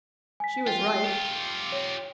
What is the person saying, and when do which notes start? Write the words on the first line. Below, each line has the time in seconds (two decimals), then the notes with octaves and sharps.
She was right.
0.40 G#5 B6
0.67 F4 G5
1.04 F4 G4
1.72 C#5